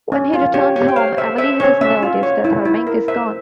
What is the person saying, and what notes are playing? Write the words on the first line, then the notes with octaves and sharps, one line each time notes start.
When he returns home, Emily has noticed that her mink is gone.
C#4
F4
G4 C#5
G4 C#5
G5
C5 C#5 F5
C5 E5
C5 E5
C#4 C#5
C#4 E5
F4
C#5
E4
E4
A#4
C5 E5